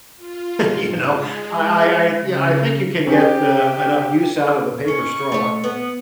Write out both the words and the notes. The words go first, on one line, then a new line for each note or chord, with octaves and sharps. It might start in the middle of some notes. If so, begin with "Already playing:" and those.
you know, I I I, yeah, I think you can get, uh, enough use out of a paper straw,
F4
G#2
G#3
C#3
C#4 G4 G#4 C5 G5
C#4 C#6
A3 C#5
B3